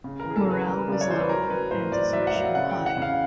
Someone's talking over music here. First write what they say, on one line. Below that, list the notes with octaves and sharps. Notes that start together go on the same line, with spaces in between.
Morale was low and desertion high.
C#3
E3 A#4
G#4
A4
C#3
B4
G3 A#4
C#3 D5
C#5
E3 C5
B4
F#3 A#4
F#3 B4
A2 C5
A2 D5
F#3 E5
F#5
F#3 F5
C#3 F#5
G5
E3
F#5
C#3 F5